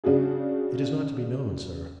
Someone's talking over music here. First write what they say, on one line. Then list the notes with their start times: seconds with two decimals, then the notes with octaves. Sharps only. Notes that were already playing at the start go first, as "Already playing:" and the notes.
'It is not to be known, sir.
0.04 C#3 D4 F#4 G#4